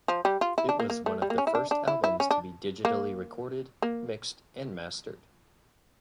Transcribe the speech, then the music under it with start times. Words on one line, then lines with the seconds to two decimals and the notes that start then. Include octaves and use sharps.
It was one of the first albums to be digitally recorded, mixed, and mastered.
0.08 F3
0.25 G3
0.41 F4
0.58 E4
0.69 D4
0.80 A#3
0.90 A#3
1.06 A3
1.22 G3
1.30 A#3
1.38 C#4
1.47 E4
1.55 D4
1.71 D4
1.88 E4
2.04 E4
2.20 C#4
2.31 D4
2.85 A#3
3.82 A#3